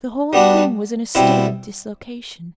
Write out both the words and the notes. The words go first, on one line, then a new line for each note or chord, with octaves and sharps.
The whole thing was in a state of dislocation.
G3 B3 D4 F#4
B2 G3 C4 E4